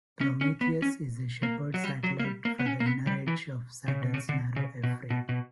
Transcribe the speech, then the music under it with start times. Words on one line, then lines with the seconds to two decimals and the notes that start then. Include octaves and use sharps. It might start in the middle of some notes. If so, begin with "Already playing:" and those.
Prometheus is a shepherd satellite for the inner edge of Saturn's narrow F Ring.
0.21 C#4
0.41 C#4
0.61 B3
0.82 C#4
1.43 A#3
1.74 F#3
1.84 G3
2.04 F#3
2.19 A#3
2.24 G3
2.45 A#3
2.59 B3
2.66 C#4
2.80 A#3
2.86 B3
3.07 G3
3.28 E3
3.88 C#3
4.02 B2
4.14 C#3
4.29 D3
4.56 C#3
4.84 B2
5.10 B2
5.29 B2